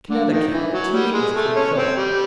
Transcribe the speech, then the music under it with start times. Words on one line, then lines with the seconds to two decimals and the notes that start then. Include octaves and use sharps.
Connecticut, to meet with King Philip.
0.10 D3
0.31 D#3
0.52 E3
0.73 F#3
0.93 G3
1.14 G#3
1.36 A3
1.56 C#4
1.78 C4
1.98 G3